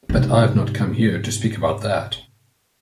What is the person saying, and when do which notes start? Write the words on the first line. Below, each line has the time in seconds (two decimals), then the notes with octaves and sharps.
But I've not come here to speak about that.
0.09 G#2 C3